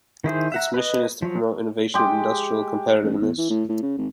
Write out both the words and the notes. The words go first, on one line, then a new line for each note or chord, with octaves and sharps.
Its mission is to promote innovation and industrial competitiveness.
D#3 E4 G#4 C5
E5 F#5 A#5
B4 D#5
F3 F#3
G#3 G4
A1
E2
E3
A2
A2
C#3
G#1